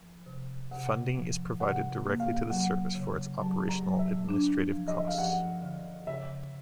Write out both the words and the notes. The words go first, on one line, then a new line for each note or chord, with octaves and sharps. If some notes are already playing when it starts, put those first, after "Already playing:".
Funding is provided directly to the service for its operational administrative costs.
Already playing: F3
C3
C3 F#5
F3
C3 F#5
A#3
F5
F#3 F#5
C#3
F#3 A5
A#5
F#3
E5
D4
F3
D#5
E5
F5
F3 F#5
D3
C#3 E5